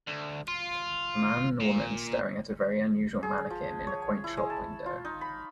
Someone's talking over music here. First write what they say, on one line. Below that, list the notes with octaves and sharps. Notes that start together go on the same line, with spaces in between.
A man and a woman staring at a very unusual mannequin in a quaint shop window.
D2
F4
A#2
G#4
F3
C#5
E4
G#3
A5
F4
D#4
B5